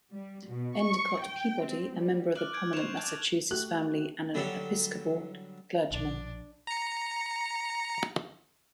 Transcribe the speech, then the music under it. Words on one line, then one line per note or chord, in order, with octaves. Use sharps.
Endicott Peabody, a member of a prominent Massachusetts family and an Episcopal clergyman.
G3
B2
C#6
G5
C4
G3
D5 F6 F#6 F#7
G6 G#6 D7
C5 C#5 C#6 E7 F7
D5 A5
A3 F#4 G4 F#6 F#7
D3 F#3 G3 D4 G4 A4
A#1 B2 D4
A#5 C#7